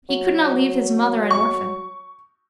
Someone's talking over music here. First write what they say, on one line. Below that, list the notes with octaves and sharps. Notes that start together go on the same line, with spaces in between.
He could not leave his mother an orphan.
F#3
C#6